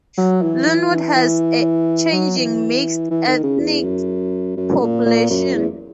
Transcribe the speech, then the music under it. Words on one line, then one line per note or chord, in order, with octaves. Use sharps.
Lynwood has a changing mixed-ethnic population.
F#3
E3
E3
E3
E3
F#3
E3
E3
D#3
C#3
E2
F#2
F#2
A#2
A#2
F#2
E2